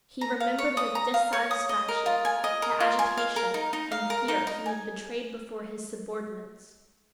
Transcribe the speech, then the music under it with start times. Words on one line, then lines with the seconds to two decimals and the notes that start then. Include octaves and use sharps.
He remembered with dissatisfaction the agitation and fear he had betrayed before his subordinates.
0.21 A#5
0.40 F5
0.58 C#5
0.77 D#6
0.95 A#5
1.14 F5
1.33 C#5
1.51 D#6
1.69 D#5
1.88 A#4
2.06 F4
2.25 G#5
2.44 D#5
2.62 A#4
2.80 F4
2.99 G#5
3.17 F5
3.36 A#4
3.54 D#4
3.73 D#4
3.92 F5
4.10 A#4
4.28 D#4
4.47 D#4
4.66 G#5